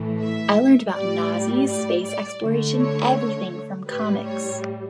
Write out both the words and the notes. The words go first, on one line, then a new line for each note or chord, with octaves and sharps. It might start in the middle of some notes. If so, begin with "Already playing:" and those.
I learned about Nazis, space exploration, everything from comics.
Already playing: A2 E3 A3
E5
A2 G3 D5
D5
D5
D3 A3
C#5
A2 G3 B4
C#5